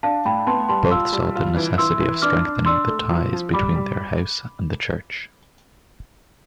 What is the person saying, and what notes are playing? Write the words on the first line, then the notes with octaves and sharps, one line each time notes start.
Both saw the necessity of strengthening the ties between their house and the Church.
D4 F5 A5
A2 G5 B5
B3 A5 C6
G3 A5 C6
F4 C6 E6
G3
F4
E3
E3 C6 E6
E3
D4 D6 F6
D4
D4 C6 E6
A3
F3
F3
G3 B5 D6
G3